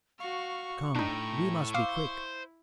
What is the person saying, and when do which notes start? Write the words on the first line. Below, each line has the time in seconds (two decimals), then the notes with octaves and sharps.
Come, we must be quick!
0.20 F#4 F5 C#6
0.95 A2 D4 D#4 G5 A#5
1.74 E4 C5 F5 D6 E6